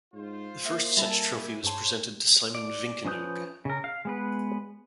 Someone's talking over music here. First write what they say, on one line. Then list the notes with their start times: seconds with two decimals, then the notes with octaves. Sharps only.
The first such trophy was presented to Simon Vinkenoog.
0.14 G#2 F4 C5
0.66 A#3 E5
0.97 G3 F4 F#4 A4 E5 G#5 A5
1.31 E4 G4 G#5
1.64 G2 G#4 C5 C#5 A5
2.55 D5
3.05 F3 C#4 B4 D#6 G6
3.65 C#3 A#4
3.84 F5
4.05 G#3 B3 B4